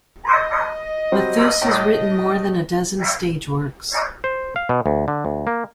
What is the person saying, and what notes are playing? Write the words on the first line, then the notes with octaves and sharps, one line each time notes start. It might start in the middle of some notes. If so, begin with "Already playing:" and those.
Matthus has written more than a dozen stage works.
D#5
F#3 G3 C4
A2
C5
F5
B2
D2
D3
D2
A#3